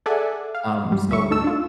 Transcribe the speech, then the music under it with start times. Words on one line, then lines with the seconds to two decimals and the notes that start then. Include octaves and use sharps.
um, so
0.06 G#4 A4 D5 E5 F#5 G#5
0.55 F5
0.92 G2 G3
1.09 D2 E5 C#6
1.31 D2 D#4 A4 E6
1.44 D4 F4